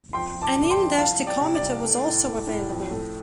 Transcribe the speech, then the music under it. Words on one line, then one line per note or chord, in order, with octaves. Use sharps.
An in-dash tachometer was also available.
F2 G5 C6
F3
A5 D6
D3
D6
G5 C6
F2
G5
C2 F5 A5
G3
D5 G5
C3
D5
C2
A3
A2
A3
A2
F2
A3